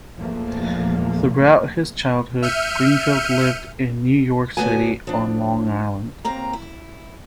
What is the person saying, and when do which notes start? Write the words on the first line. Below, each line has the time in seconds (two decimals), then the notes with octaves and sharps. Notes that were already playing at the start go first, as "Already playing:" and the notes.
Throughout his childhood, Greenfield lived in New York City, on Long Island.
0.17 A#1 E2 F3 A3 A#3
2.42 E5 F6 G6 C#7 D#7
4.57 F#2 D3 A3 B3 F#4 G#5
5.07 F3 D4
6.25 D#2 A#3 C4 A#5
6.53 E4